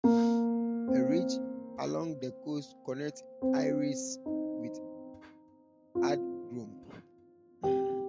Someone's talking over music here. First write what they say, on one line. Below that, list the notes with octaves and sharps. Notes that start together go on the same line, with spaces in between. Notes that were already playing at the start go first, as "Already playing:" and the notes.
A ridge along the coast connects Eyeries with Ardgroom.
A#3
C4
C4
D#4
F4
G4